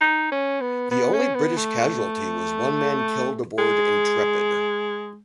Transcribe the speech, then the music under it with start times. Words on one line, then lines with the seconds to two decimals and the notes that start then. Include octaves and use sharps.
The only British casualty was one man killed aboard "Intrepid".
0.01 D#4
0.32 C#4
0.61 B3
0.91 B3
1.13 C#4
1.35 B3
1.57 A3
1.80 A3
3.58 G#3